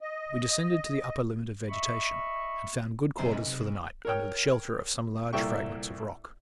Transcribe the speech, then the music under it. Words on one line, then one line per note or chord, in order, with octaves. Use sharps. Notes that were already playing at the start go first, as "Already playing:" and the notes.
We descended to the upper limit of vegetation, and found good quarters for the night under the shelter of some large fragments of rock.
D#5
D#5 E5 B5 C#6
B1 F#2 C3 C5
B1 C3
C3
A#4 C#5 G5
C2 A#2 A4 E5 G5 C#6